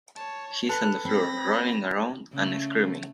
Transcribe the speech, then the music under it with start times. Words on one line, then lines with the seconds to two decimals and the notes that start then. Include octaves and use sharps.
He's on the floor, rolling around and screaming.
0.16 C#5 A5
0.69 A4 B4 F#6
1.05 C4 B5 A#6
2.32 C#3 A3